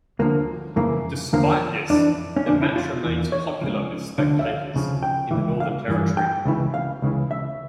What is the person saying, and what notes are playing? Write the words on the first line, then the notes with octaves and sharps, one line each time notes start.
Despite this, the match remains popular with spectators in the Northern Territory.
D2 D3 F3 A#3
F2 C#3 E3 A#3
E2 D3 F3 A#3
F2 E3 D4
C#4
F2 D3 F3 D4
E4
F4
E2 E3
C#5
C#2 C#3 F3
D2 D3 F3
E5
F5
D2 C#3 F3
G5
C#2 C#3 E3
F5
G2 E3
G5
C#2 C#3 E3
F5
C#2 C#3 E3
E5